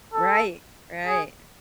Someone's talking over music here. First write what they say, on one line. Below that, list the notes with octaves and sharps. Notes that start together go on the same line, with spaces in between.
Right, right.
A4
G#4